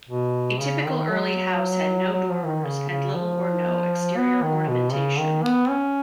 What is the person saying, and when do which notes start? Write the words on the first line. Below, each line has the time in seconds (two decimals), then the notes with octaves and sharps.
A typical early house had no dormers and little or no exterior ornamentation.
0.09 B2
0.60 C#3
0.86 D#3
1.11 F#3
2.13 F#3
2.29 F3
2.46 D#3
2.64 C#3
2.89 C#3
3.15 F3
4.17 B3
4.42 D#3
4.68 B2
4.92 C#3
5.19 D#3
5.43 B3
5.69 C#4